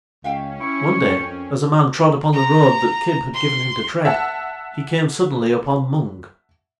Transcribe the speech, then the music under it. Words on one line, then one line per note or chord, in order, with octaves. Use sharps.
One day as a man trod upon the road that Kib had given him to tread he came suddenly upon Mung.
C#2 C#4 E5 F5 G5
E4 C#6
F2 A#3 C4
A#5
C6
E5 F#5 A5